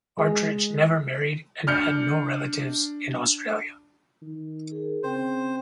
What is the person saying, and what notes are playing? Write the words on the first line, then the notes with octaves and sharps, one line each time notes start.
Partridge never married and had no relatives in Australia.
G#3
D4 F6 G6 C#7
D#3
G#4 A#4
C#3 C4 C5 G5